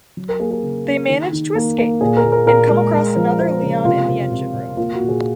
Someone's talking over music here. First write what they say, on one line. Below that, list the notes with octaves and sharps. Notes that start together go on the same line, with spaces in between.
They manage to escape and come across another Leon in the engine room.
F#3
A#4
A#3 G#4
G#4
C#3
A#3
D#3
D#3
A#3
A#3
A#2 G#4
A#4
A#2
A#4
A#2 A#4
G#3
G#3
F3
G#3 C5
C#3
C3 F4
C3
C3
C3
A#3 F4
F#4
A#2
G#4